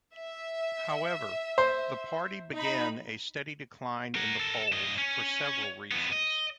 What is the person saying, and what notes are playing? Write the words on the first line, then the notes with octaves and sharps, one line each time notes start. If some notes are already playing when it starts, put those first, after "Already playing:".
However, the party began a steady decline in the polls for several reasons.
E5
C5
D#4 B5
A#4 F#5
A4 A#4
G2 D#5
C#4
F2 B3
D#5